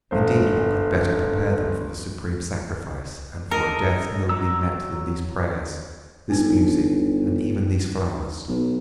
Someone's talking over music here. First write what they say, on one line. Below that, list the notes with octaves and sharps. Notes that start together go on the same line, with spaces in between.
Indeed what could better prepare them for the supreme sacrifice and for a death nobly met than these prayers, this music and even these flowers?
G1 C5
A4 A#4 D#5
F#3 A#5 E6
G1 D4 D#4
B1